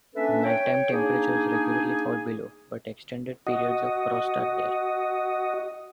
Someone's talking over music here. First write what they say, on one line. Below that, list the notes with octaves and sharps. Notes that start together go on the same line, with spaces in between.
Nighttime temperatures regularly fall below but extended periods of frost are rare.
A#3 C#4 D4 A4 B4 E5
C#5 G5
A#3 D4 D#4 G#4
F#4 D#5